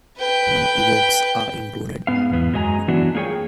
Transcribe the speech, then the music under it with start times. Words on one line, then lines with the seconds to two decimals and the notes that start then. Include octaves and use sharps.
No Ewoks are included.
0.19 B4 G5
2.07 G#2 B3 F5
2.32 E2 B3
2.53 F#2 F#3 G#3 D#5 G#5 A#5
2.88 E3 F#3 B3 D4 F#4
3.15 A#3 F4 G#4 C#5 G5